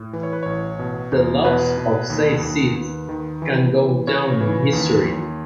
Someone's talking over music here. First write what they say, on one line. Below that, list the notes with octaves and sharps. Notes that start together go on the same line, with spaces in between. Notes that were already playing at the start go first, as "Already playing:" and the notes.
The loss of safe seats can go down in history.
Already playing: A2
E3
C#5
B4
A1 C#5
B2
E2
B2 B4
B2
D#2
D#2
D#2
D#3
E3
E3
C#3 C#5
E3
D#2
D#2